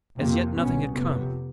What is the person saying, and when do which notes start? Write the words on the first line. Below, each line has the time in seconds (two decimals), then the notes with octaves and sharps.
As yet, nothing had come.
0.18 F2 C3 A#3 C4
0.56 C2 B2 B3 C#4
0.93 F2 C3 A3 B3